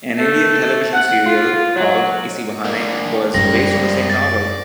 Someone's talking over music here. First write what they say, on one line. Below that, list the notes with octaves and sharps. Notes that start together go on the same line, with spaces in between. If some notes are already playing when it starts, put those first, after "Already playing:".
An Indian television serial called Isi Bahane was based on the same novel.
A3
F#5
F4
F#3
A#3 D4
F#2 G3 G#3 A#3 C4 A#6
D5 A6